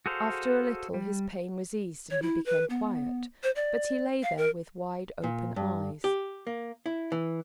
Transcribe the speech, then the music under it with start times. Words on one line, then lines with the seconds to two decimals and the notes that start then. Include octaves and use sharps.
After a little his pain was eased and he became quiet, but he lay there with wide open eyes.
0.06 F#4 G#4 A4 C5 F5
0.94 G3
2.10 C#5
2.22 E4
2.46 B4
2.70 B3
3.43 C5
3.56 D5
4.23 F5
4.37 A#4
5.24 A#2
5.56 G2
6.04 G4
6.47 A#3
6.86 E4
7.12 E3